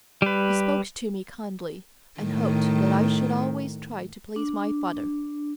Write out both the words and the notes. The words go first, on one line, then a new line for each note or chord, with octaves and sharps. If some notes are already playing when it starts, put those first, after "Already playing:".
He spoke to me kindly, and hoped that I should always try to please my father.
G3 B4
A2 D#3
D4